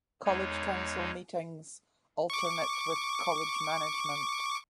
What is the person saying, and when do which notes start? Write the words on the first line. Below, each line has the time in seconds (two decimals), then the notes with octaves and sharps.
"College Council" meetings alternate with "College Management".
0.25 E2 G#3 D#4 C#5
2.30 C#6 D6